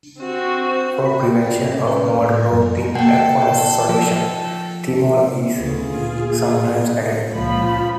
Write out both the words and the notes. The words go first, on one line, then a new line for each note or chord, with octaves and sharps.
For prevention of mold growth in aqueous solutions, thymol is sometimes added.
C4 F#4
B5
G5
C3
C#4
B4
A2
F#2
A#3 A4 F#5 G5
F3
D2 C#3 B3 F4 G#4
A#2
C#2 A#2 F3 B5